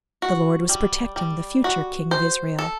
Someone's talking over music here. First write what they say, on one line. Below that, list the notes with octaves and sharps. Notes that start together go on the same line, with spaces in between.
The Lord was protecting the future king of Israel.
F#4
G3
G3
F#4
C5
A4